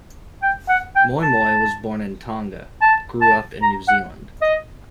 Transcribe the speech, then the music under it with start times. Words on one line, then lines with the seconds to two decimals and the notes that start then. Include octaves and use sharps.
Moimoi was born in Tonga, grew up in New Zealand.
0.43 G5
0.69 F#5
0.95 G5
1.23 A5
2.82 A5
3.21 A5
3.62 A#5
3.88 F#5
4.42 D#5